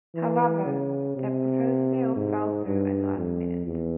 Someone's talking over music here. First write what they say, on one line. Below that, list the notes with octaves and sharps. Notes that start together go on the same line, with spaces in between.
However, the proposed deal fell through at the last minute.
E3
C#3
C3
G#2
G2
F2
E2